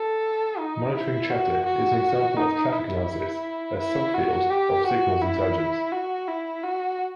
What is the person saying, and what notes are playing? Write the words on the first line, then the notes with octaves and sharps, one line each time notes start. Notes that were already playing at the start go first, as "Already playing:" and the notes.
Monitoring chatter is an example of traffic analysis, a sub-field of signals intelligence.
Already playing: A4
D#4
E4
F#4
F#4
D#4
E4
E4
F#4
G4
F#4
E4
F#4
E4
F#4